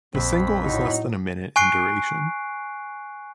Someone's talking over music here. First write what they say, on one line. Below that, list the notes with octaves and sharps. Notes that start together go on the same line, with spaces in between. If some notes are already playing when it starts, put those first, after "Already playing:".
The single is less than a minute in duration.
A#1 F2 C4 B5
A2 F#3 D#4
G#5 C#6 F#6 C7 D7